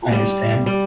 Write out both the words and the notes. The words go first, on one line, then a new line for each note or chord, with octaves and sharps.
I understand.
G3
G3